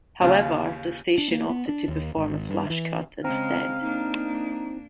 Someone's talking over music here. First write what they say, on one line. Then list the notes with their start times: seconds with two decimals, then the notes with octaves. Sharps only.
However, the station opted to perform a flash-cut instead.
0.21 D#2 C#3
1.18 D4
1.31 A#3
1.50 B3
1.69 D4
1.88 D#2
2.17 G#1
2.49 G2
2.70 E3
3.24 C#3 G#3 C4 F5 A#5
3.80 A#3 D4 D#4